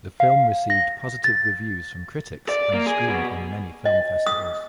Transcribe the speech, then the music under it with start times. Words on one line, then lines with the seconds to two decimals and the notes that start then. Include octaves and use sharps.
The film received positive reviews from critics and screened in many film festivals.
0.20 F5
0.70 A#6
1.24 A6
2.49 D5
2.74 A#3
2.86 G#4
3.08 B2
3.85 D#5
4.27 D#6